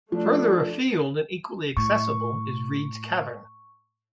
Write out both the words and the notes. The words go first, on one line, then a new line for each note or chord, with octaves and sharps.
Further afield and equally accessible is Read's Cavern.
F3 A3 D4
A2 C#6